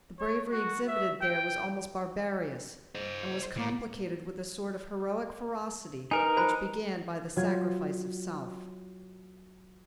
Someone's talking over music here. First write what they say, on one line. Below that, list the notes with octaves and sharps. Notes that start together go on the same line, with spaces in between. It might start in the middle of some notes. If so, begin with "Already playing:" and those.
The bravery exhibited there was almost barbarous and was complicated with a sort of heroic ferocity which began by the sacrifice of self.
C#5
F#4
E5
G5
C5 D#5
A2
D#4 A#4 B4 G#5
F#4 C5 B5
F#3 F4 C6 G#6